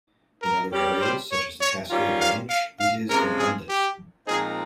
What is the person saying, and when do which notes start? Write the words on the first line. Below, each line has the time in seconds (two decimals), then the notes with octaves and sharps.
In other areas, such as the Cascade Range, it is abundant.
0.42 A#4
0.72 G3 C#4 G4
1.01 C5
1.31 C#5
1.61 C#5
1.90 D#3 G3 C#4 F4
2.20 F5
2.50 F5
2.80 F5
3.09 C3 F3 G#3 C#4 A#4
3.38 G#4
3.69 G4
4.27 A#2 F3 G#3 C4 D#4 G#4